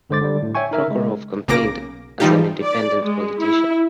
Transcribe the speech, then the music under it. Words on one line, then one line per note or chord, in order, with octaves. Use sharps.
Prokhorov campaigned as an independent politician.
G1 D3 G#3 C5 D6 A6
D3 G3
A2
C#5 E5 G5 G#5 C#6
D#4 A#4 E5
C#3 G#3
B1 C#3 A#3 D6 A#6 D7
E3 F3 G3 D#4 F4 G4
D5
G#3
E4